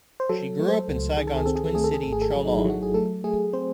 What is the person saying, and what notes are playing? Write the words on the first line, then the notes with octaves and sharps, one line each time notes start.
She grew up in Saigon's twin city, Cholon.
C5
F#3 A4
A3
C5
A4
C#2
D#3 G#4
A4
G#4
C4 A4
G#4
A4
A3 G#4
A4
G#4
G#1 A4
G#4
A4
F#3 G#4
D#4
E4
F#3 F#4
G#4
A3 A4
A3 G#4
C4 C5